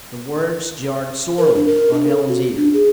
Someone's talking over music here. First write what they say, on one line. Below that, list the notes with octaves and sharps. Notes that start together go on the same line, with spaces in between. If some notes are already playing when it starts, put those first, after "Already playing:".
The words jarred sorely on Helen's ear.
A#4
D4
A#4
D4
A4
F#4
D4
G#4